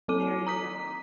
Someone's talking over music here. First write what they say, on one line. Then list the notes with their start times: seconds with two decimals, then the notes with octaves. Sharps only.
There you go.
0.08 F#3 C4 A4 D6 D#7
0.47 A#5 D#6 B6